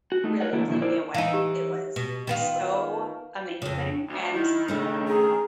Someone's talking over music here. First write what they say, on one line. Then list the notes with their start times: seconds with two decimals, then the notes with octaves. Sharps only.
really blew me away. It was so amazing, and
0.12 F#4
0.24 A3 D#4
0.40 F4 A#4 B4 C#5 D#5 F#5
0.53 D3 E3 A3 A#3 E4
0.68 A#2 D3 D#3 F3 D#4 E4
0.82 D#4 E4 A#4 C5 D5
1.14 E3 D#4 F5
1.34 G4
1.96 B2
2.27 D#3 B3 F4
2.56 B4 F5
3.62 F2 C#3
4.10 D2
4.34 D#3 E4
4.68 C#3 A3 C#4 D4
5.07 G#4 A#5